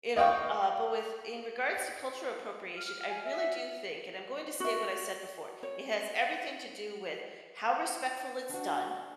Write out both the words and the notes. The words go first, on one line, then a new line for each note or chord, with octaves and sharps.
you know, uh, but with in regards to cultural appropriation, I really do think, and I'm going to state what I said before, it has everything to do with how respectful it's done.
D#5 F5 G5 C#6
F6
G#5
E5
F#4 E5
C#5
D4 F#4